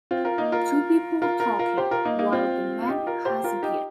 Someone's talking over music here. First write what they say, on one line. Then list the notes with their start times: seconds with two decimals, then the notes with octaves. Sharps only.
Two people talking, while the man has a beer.
0.11 C4 F4
0.25 F4 A#4
0.38 A#3 D#4
0.52 F4 A#4
1.22 F4 A#4
1.40 F4 A#4
1.59 F4 A#4
1.77 G4 C5
1.91 F4 A#4
2.05 A#3 D#4
2.19 A#3 D#4
2.33 C4 F4
2.82 F4
2.88 D#4 G4
3.07 F4 A#4
3.25 G4 C5
3.44 F4 A#4
3.63 D#4 G4